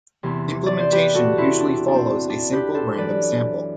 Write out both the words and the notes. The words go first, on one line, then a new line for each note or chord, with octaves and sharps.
Implementation usually follows a simple random sample.
E2 C3 E3
D5
C5
G4 B4
F#4 A4
C4 E4
D4
D4
C4
D4
G4 B4
A4 C5
F#2 E3 B4 D5